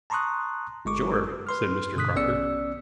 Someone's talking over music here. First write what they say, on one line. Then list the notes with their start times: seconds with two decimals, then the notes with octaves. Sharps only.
"Sure," said Mr. Crocker.
0.10 A5 A#5 C6 C#6 D#6 F#6
0.85 G1 G#3 C#6 D6
1.47 B4 C6 F6
1.96 G2 B2 D3 D#6 F#6 B6
2.16 A#1 B3 C#4 D5 E6 C#7